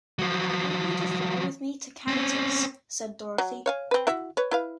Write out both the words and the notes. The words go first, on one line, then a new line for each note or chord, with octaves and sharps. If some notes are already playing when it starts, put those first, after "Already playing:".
"I want you to fly with me to Kansas," said Dorothy.
F3 F#3
C4 C#4
F#3
C#5 F5 G#5
C4 B4
E4 F#4 E5
B4 C#5
E4 B4 F5